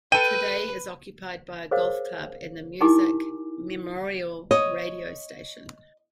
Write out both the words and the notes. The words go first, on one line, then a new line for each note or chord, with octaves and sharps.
Today it is occupied by a golf club and the Musick Memorial Radio Station.
A4 B4 G5 D#7
G#4 A#4 C5 C#5 D#5 F5
D#4 E4 G4 A#4 G#5 D6
C#5 D#5